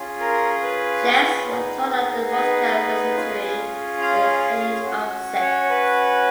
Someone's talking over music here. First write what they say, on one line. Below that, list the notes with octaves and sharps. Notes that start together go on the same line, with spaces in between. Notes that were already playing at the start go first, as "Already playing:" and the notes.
Scheps was taught at the Moscow Conservatory at the age of six.
Already playing: C#4 F4 G#4
A#4
B4
B3 D#4 G#4
B4
C#4 F4 G#4
F5
C#4 F#4
C#5
B4